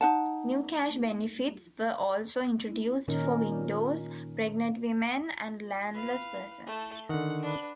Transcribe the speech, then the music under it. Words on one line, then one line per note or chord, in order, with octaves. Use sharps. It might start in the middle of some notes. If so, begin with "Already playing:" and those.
New cash benefits were also introduced for widows, pregnant women, and landless persons.
D#4 F#5 A5
A#2 D#3 C#4 D#4 A#4
B4 F5
A3 A4
D3 D#3 F#5
D4 B4